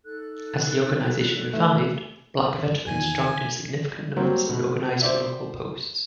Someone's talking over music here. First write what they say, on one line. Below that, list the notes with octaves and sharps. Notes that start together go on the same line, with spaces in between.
As the organization revived, black veterans joined in significant numbers and organized local posts.
D#4 A4 F#6
E3 A3
E2 D#3 G#5
F#3 G3 A#3 C4
B2 A3
C5 D5 E5